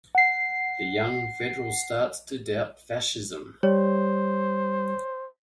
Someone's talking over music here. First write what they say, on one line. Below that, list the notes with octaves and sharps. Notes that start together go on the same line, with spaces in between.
The young federal starts to doubt fascism.
F#5 C7
G3 C5 C#5